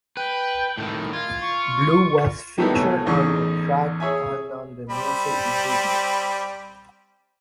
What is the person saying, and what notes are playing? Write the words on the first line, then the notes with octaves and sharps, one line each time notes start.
Blue was featured on the track and on the music video.
B4 G5
A2 D#3
F4 G#6
C#6
D#3 G3 A3 B3 D#4 E4
C2 B2 A3 C#5 E5 G#5
A1 E2 D#4 G#4 C#6
G#4 C#5 E5 G#5
G3 C4 B5